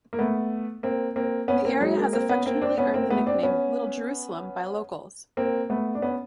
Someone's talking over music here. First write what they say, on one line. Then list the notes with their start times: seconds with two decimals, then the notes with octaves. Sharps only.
The area has affectionately earned the nickname "Little Jerusalem" by locals.
0.13 A#3
0.19 A3 B3
0.83 A#3 C4
1.16 A#3 C4
1.48 B3 C#4
1.65 A#3 C4
1.81 F#3 G#3
1.97 G#3 A#3
2.13 A#3 C4
2.29 B3 C#4
2.46 A#3 C4
2.61 C4 D4
2.78 B3 C#4
2.94 A#3 C4
3.10 A3 B3
3.26 C4 D4
3.43 B3 C#4
5.37 A#3 C4
5.70 A3 B3
5.95 D4
6.02 B3 C#4